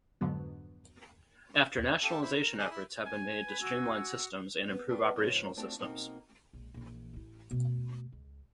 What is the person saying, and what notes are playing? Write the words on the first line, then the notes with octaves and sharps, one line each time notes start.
After nationalisation efforts have been made to streamline systems and improve operational systems.
F2 G#2 D3 F#3 B3
G4 A4 F5
E4 C5
A#4
D4 G#4
E4
G#5
B4
F#4 F#5 E6
B3
B3 D4 F4 G4 A4 B4
G#2 C#3 F3 B3 C5
A3 C4 D4 F4 F#4
B2 A#3 C4 D#4
A#1 G#3
A#1 E3
A1 E4
B2 A3
C#2